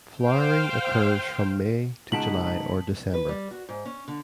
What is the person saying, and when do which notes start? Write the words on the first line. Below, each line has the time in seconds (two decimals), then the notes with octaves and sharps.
Flowering occurs from May to July or December.
0.24 C5 F5 G5
2.12 C#2 B2 D#4 F#5 A5 B6 D7 F#7
3.14 B4
3.29 G3
3.51 F#4
3.69 G#2
3.85 C#4
4.08 D3